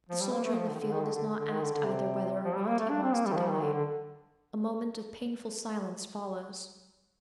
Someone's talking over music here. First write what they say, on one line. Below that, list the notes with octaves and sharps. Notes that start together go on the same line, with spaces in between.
The soldier in the field is not asked either whether or not he wants to die.' A moment of painful silence follows.
F3
G3
A#3
A3
F3
D3
D#3
D3
D#3
D3
D3
D3
D#3
D3
D3
C3
F3
G3
A#3
A3
D4
C4
A#3
G3
D#3
F3
D#3
D3
D3